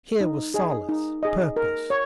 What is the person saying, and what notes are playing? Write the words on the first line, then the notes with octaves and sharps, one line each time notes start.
Here was solace, purpose.
D#4
G#4 D#5
D#4
G#4 D#5
A#4
C#5